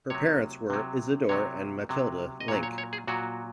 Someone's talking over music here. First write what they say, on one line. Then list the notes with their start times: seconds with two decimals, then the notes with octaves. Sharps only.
Her parents were Isidor and Mathilde Link.
0.10 C3 F#3 C#5
0.70 C3 F#3
1.29 C3 F#3 C#5
1.89 C3 F#3
2.40 D#5
2.48 A#2 F#3 C#5
2.63 C#5
2.78 C#5
2.93 G#4
3.07 A#2 F#3 F#4